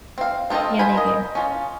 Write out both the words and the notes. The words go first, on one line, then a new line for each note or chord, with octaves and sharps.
Yeah, they do.
C4 F5
B3 C4 F4 A4 D#5
F4 C5 G#5 B5
A#4 D#5
C#4 F4